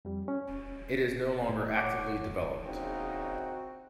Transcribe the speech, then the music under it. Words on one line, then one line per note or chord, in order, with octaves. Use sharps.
It is no longer actively developed.
F2 G3
C#4
A2
C#5 F#5 D6
A#1 C#3 C4 D#4 F#4